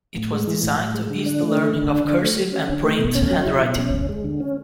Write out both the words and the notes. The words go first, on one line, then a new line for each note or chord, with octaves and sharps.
It was designed to ease the learning of cursive and print handwriting.
A2
G#3
E3
A2
A2
G#3
D3
D4
A3
D3
D3
D4
D3
A3
F#3
C#4
D3
A3
B2
C#4
F#3
E4
B2
C#4
D2
G#3
D3
C#4